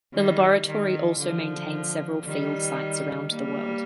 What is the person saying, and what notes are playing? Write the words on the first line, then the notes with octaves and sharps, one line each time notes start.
The laboratory also maintains several field sites around the world.
D#3 G3
D#3
D3 F3
D#3 G3
G3 A#3